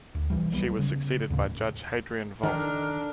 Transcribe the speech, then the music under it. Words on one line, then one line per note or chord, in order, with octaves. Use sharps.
She was succeeded by Judge Hadrian Volt.
D2
B1 E3 G3
F#3 G3 B3
C#3
D#2 A2 C#3
D#3 D4 A4 A#5 F6